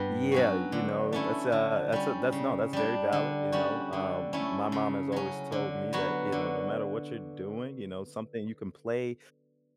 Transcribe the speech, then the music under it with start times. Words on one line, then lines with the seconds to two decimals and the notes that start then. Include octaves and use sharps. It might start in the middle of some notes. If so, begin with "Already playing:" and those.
Yeah, you know, that's, a that's a that's No, that's very valid, you know. Um, my mom has always told me that, you know, no matter what you're doing, you know, something you can play,
Already playing: G2 B3
0.32 F#3 C#4 F#4
0.72 D3
1.13 A3 C#4 E4
1.52 D3
1.92 G3 C#4
2.32 C#3
2.73 G3 D4
3.12 D3
3.52 G3 C#4 F#4
3.93 D3
4.33 A3 C#4 E4
4.72 C#3
5.12 F#3 C#4
5.52 D3
5.93 F#3 B3 F#4
6.32 D3